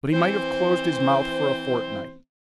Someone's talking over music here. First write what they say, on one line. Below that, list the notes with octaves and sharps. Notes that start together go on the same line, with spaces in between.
But he might have closed his mouth for a fortnight.
E3 C4 C5